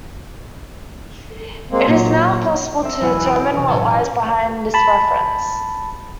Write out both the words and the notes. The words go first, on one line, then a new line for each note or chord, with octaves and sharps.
It is now impossible to determine what lies behind this reference.
G#3 A#3 C4
A#2 F#3
C4 E5
B1 E2 E4 B4 F#5 G#5
D#6 D7
E2 C3
B1 A2 C#4 B4 A5
G#5 A#5
A5 B5